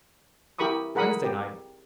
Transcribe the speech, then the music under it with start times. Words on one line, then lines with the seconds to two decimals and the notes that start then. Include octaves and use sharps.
Wednesday night?
0.59 E4 G4 A#4 B5 C#6 D#6
0.95 G#4 A#4 F#5 B5 D#6
1.24 G4